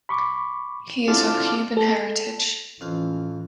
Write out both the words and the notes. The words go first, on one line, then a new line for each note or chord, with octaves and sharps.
He is of Cuban heritage.
B5 C#6 D6
C4 D4 E4 F4 G#4 A4
A4
F2 A2 E3 C#4 F5